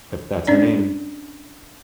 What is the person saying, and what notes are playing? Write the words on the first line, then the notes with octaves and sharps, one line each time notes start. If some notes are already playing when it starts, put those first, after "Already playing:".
If that's her name.
C#4 D4 D5